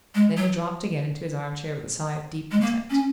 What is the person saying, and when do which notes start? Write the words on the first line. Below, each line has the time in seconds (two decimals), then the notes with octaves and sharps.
Then he dropped again into his armchair with a sigh of deep content.
0.15 G#3
0.37 F#3
2.52 G#3
2.61 A#3
2.90 C#4